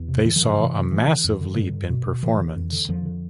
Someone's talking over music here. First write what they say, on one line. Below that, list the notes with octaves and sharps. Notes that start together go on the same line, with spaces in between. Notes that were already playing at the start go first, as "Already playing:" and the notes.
They saw a massive leap in performance.
Already playing: E2
C3
D3 E3
D3 F3
G2
D3 F3
C3 E3
C3
D3 E3
D3
F2
D3
G2 D3
D3
B2
B2
D3 E3
D3
F2
D3
F2 D3 F3
D3